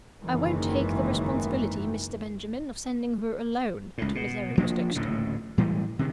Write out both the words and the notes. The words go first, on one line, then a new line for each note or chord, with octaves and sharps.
"I won't take the responsibility, Mr. Benjamin, of sending her alone to Miserrimus Dexter."
F#1 G#2 D#3 E3
C#2 A2
B2
F3 A#3 D4
D1 A1 A#2 C#3
A2 E3 G3 G#3
C3 D#3